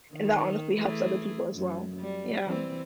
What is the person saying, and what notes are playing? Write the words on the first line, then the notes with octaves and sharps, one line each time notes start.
And that honestly helps other people, as well. Yeah.
D#3
E3 A3 G#4
F#2
G3
E3 C4